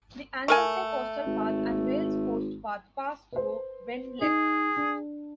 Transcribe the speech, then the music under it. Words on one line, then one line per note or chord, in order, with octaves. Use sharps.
The Anglesey Coastal Path and Wales Coast Path pass through Benllech.
A3 A#4 G#5
G#1
B4 C5
D#4 G#4
D4